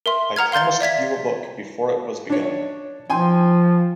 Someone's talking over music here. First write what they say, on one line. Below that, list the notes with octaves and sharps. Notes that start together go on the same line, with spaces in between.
I promised you a book before it was begun.
A#4 E5 C6
F#5 A#5 F6 G#6
F5 C6 G6 A6 G7
D5 E5 G#6 B6
D4 C#5
F3 G5 G#5 C6